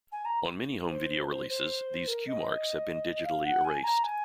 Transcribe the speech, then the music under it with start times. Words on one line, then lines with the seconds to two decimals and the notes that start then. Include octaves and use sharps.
On many home video releases these cue marks have been digitally erased.
0.12 G#5
0.25 A#5
0.90 C5
1.29 C5
1.49 C5
2.07 A#4
2.27 D#5
3.24 F5
3.44 F#5
3.64 G#5
3.84 A#5
4.03 G#5